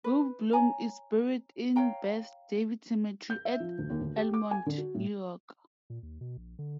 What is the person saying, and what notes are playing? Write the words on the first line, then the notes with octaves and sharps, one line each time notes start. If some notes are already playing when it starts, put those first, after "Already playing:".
Rube Bloom is buried in Beth David Cemetery at Elmont, New York.
B4
C#5 G#5 A#5
C#5 F5 G5 A#5
G6
E5
F3
D2
D#2
D2
G4
D6
G#5
D3
F#4
A2
A#2
D#2
B2
A#1
D3